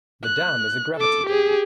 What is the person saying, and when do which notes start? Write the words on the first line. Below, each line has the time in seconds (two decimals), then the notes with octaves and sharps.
The dam is a gravity dam.
0.24 F#6
0.97 A4 D6
1.27 G4 G#4